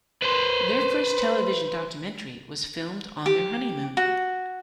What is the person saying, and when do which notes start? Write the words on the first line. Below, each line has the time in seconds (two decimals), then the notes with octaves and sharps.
Their first television documentary was filmed on their honeymoon.
0.22 B4 C5
3.26 G4
3.97 F#4